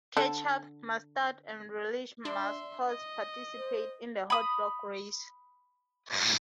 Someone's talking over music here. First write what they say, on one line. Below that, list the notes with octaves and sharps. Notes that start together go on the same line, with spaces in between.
Ketchup, Mustard, and Relish mascots participate in the hot dog race.
D3 A4
D4 E5 C6
D#5
C5
B5 D#6